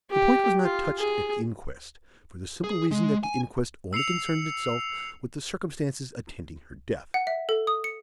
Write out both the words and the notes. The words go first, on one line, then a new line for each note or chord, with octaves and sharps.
The point was not touched at the inquest, for the simple reason that the inquest only concerned itself with the circumstances attending her death.
G4
F4
G#4
G#4
G#3
G#5
E6 C7 C#7 F7
F#5
E5
A4
D#6
C#7